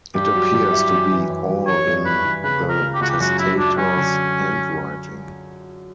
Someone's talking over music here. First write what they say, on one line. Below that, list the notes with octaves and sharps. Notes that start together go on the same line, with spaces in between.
It appears to be all in the testator's handwriting.
G2 G4
F#3
G2
E4
F#2
E3
F#2
F#2
E3 C#5
G2
E3 B4
E3
C#3 B4
C#2
A#4
C#2
G4
C#2 F#4
G4
F#2 F#4
F#2 E4
F#3 D4
F#2 C#4
D3